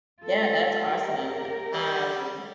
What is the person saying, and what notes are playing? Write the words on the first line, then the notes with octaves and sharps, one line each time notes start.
Yeah, that's awesome. Um
F4 A4
G4 A#4
G3